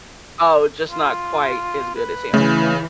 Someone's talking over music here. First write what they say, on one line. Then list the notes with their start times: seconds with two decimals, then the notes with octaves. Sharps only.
Oh, just not quite as good as him.
0.91 F4
1.95 B4
2.34 C#3 E3 A3